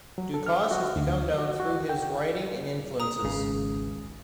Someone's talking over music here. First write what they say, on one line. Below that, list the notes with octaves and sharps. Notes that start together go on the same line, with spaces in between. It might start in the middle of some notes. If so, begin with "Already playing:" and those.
Ducasse has become known through his writing and influences.
F#3
A4
F6
F#4
D2
F#4
F#4
G5
A#5 D#6
G#1 C#2 C#3